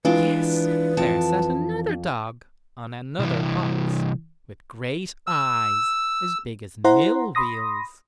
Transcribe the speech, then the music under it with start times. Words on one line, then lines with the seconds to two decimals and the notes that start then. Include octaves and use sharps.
Yes! there sat another dog on another box, with great eyes, as big as mill-wheels.
0.05 E3 G#3 D4 F4 B4
0.97 F2 A5
3.19 C2 E3
5.27 E6
6.84 E4 C5 F#5 A#5 C6
7.35 B5 C6 D#6 A#6